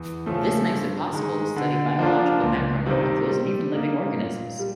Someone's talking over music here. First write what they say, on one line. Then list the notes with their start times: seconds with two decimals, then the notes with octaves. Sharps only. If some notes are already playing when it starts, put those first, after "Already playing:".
This makes it possible to study biological macromolecules and even living organisms.
Already playing: E2
0.26 C#3 F3 A3
0.69 G2
1.12 D#3 G#3
1.56 D3
1.99 F3 A#3 D4 F4
2.42 C#2
2.86 C3 D#3 G3 C4
3.29 G3
3.72 A#3 D#4
4.16 A#2
4.59 G3